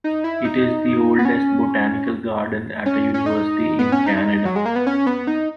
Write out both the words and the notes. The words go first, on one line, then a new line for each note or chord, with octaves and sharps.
It is the oldest botanical garden at a university in Canada.
D#4
E4
D#4
B3
C#4
C#4
C#4
D#4
B3
C#4
D#4
F#3
G#3
A#3
B3
C#4
B3
D#4